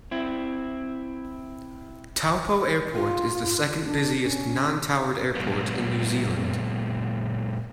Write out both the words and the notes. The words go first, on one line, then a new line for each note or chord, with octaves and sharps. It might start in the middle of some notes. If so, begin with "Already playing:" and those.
Taupo Airport is the second-busiest non-towered airport in New Zealand.
C4 E4
F4
D4
C#4
A#2 F#3 G#3 A#3 B3